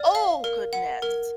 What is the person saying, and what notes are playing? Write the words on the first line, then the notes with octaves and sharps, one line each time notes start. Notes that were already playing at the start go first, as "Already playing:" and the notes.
Oh, goodness!
Already playing: D5 F6
F5
A#4
F#5
A#4